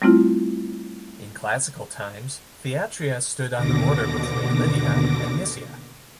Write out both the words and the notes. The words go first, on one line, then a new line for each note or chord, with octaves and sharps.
In classical times, Thyatira stood on the border between Lydia and Mysia.
G3 A3 C4 E4 F4
D#2 B2 D3 D6 A#6